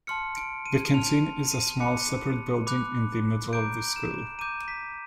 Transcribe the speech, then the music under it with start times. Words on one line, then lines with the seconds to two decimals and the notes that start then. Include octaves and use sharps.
The canteen is a small, separate building in the middle of the school.
0.07 A5 C6 F6 C#7
0.37 D7
0.66 D#7
0.94 A5 C6 F6 F7
1.52 D#7
1.80 B5 D6 F#6 C#7
2.67 B5 D6 F#6
3.53 A#5 D6 G6 D7
3.96 E7
4.39 A#5 D6 G6 D#7
4.68 B6